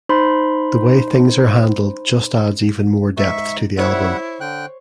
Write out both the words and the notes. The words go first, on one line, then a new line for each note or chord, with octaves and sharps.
The way things are handled just adds even more depth to the album.
D#4 C5 B5 C6
G#2 E5 C#6
G3 E4 C5 C#5 E5 F#5
D3 G5 F#6